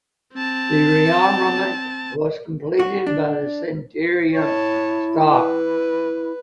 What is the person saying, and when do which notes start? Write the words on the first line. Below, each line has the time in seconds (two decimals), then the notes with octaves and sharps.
The rearmament was completed by the Centurion stock.
0.34 C4 A5
2.79 F#4
3.06 D4
4.34 E4 C#5 A5
5.31 B4